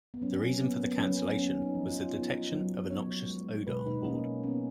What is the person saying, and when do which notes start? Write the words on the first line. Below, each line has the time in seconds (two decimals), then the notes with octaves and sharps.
The reason for the cancellation was the detection of a noxious odor on board.
0.14 B3
0.22 F#3 C#4
0.60 A#3 B3
0.80 B3
0.98 F#3 C#4
1.17 B3
1.37 B3 C#4
1.62 D#4
1.75 F3
1.88 F4
2.13 B3 D#4
2.52 F#3
2.90 B3 C#5
3.28 G#3
3.67 B2 B4
3.86 D#4
4.04 A#3 C#4
4.43 B3 C#4